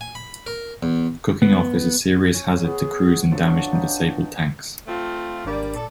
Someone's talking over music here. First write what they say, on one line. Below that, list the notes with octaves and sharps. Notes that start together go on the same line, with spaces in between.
Cooking off is a serious hazard to crews in damaged and disabled tanks.
G#5
B5
A#4
E2
B3
C#4
B3 G#4
F3 F#3 D4 A4
D#4 G4
A3 C4 F4
G#1 G3 A#3 D4 A#4 D5
A#2 A4 D5